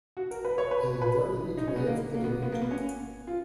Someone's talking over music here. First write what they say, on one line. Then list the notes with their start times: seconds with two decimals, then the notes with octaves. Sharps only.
A very neat way of putting it.
0.17 F#4
0.31 A#4
0.45 B4
0.58 C#5
0.71 B4
1.02 B4
1.57 D#4
1.68 C#4
1.76 B3
1.87 A#3
2.14 A#3
2.24 B3
2.43 B3
2.52 A#3
2.62 B3
2.71 C#4
3.27 F4